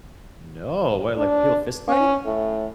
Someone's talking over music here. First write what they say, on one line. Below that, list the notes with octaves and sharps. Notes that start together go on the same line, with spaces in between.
No, well, like, people fist fighting?
D4
C#4
A2